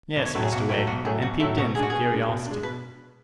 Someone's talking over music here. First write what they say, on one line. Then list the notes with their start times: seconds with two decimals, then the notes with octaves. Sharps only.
'Yes, Mr Wegg, and peeped in from curiosity.'
0.16 B1 B4
0.25 C#5
0.34 A2 F#3 A3 B4
0.43 G#4
0.52 B1 F#4
0.69 A2 F#3 A3 E4
0.87 B1 F#4
1.05 A2 F#3 A3 G#4
1.22 B1 F#4
1.40 A2 F#3 A3 E4
1.58 B2 F#4
1.75 G#3 G#4
1.78 D4 F#4
1.90 B2 G#4
2.10 G#3 D4
2.28 B2
2.46 G#3 D4
2.63 B2 B4